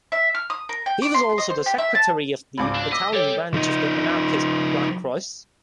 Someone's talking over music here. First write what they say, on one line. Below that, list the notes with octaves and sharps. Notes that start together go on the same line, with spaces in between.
He was also the secretary of the Italian branch of the Anarchist Black Cross.
E5
F6
D#6
A#4
G5
D6
C6
D#5
C5
G4
E5
A5
G#1 C#2 B5 D6
D4
D#5 D6 E6 B6
G3 A4 C#5 G5
F3 D#4